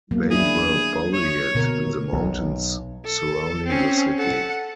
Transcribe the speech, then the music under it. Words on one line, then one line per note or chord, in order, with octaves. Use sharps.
They were buried in the mountains surrounding the city.
F#3 A#3 B3
D4 E4 G#4
C#5
B2 D3 A#4
B1
A4
C4 C#4
A4 F#5